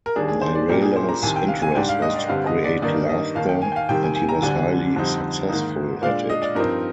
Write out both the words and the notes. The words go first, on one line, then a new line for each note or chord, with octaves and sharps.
Nirala's interest was to create laughter, and he was highly successful at it.
A#4
D#2 D#3 G3 D4 G#4
G#4
C5
D5
A#2 G3 A#3 D4 G4
G#4
C5
A#5
C2 C3 D#3 G#5
G5
F5
G#5
G#2 G3 D4 G5
F5
D#5
D5
G2 D3 G3 C4 F5
D#5
D5
G2 D#3 A#3 D#4 D5
D#5
D#2 D#3 A#3 F5
G5
G#5
G5
F5
C3 D#3 G3 G5
G#5
G#5
A#5
D2 D3 G3 D4 G#5
F2 D3 G3 C4 D#4
G#2 D#3 A#3 D#4
A#2 G#3 D4 F5
D#5
D5
G2 F3 C4 D#4 A#4